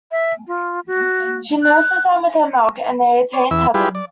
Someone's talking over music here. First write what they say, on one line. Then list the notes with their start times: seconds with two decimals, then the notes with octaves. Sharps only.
She nurses them with her milk and they attain heaven.
0.12 E5
0.47 F4
0.87 F#4
1.63 F#6
3.33 C#5 D5
3.51 E2 E3 E5 E6
3.74 G3 E4 F4 G4 G#4 B4
3.95 D5